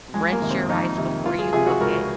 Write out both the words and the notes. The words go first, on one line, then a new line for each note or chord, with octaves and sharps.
Rinse your rice before you cook it,
F2 G#3
A#3
C3 D#3
C4
F2 D#4
C3 D#3
C#2 F4
G#4
C3 F3 G#4
F#4
C#2 A#4